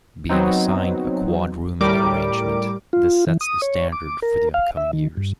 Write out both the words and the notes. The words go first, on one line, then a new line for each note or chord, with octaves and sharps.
Being assigned a quad rooming arrangement, this sets the standard for the upcoming years.
F#3 B3 C4 D#4
A2 G3 A#4 D6 D7
F4
E3
D#6
C#5
D6
A#4
F5
E5
D#3
G2